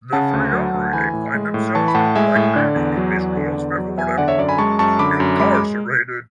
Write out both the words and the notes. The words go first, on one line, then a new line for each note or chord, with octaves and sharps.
The Triumvirate find themselves-like many English Royals before them-incarcerated.
C#3 F#5 A5
D2
F#3
D2
E3 G#5 B5
A2
G#3
A2
E3 A5 C#6
B5
A2 F#5 A5
G#3 E5 G#5
A2
D3 D5
E2
F#3
E2
D3
E2
F#3
E2 E5 G#5
D3 D5 F#5
C#5 E5
F#2 D5
G#5 B5
G#3 A5 C#6
F#2 A5 C#6
D3 B5 D6
F#2
G#3 B5 D6
D6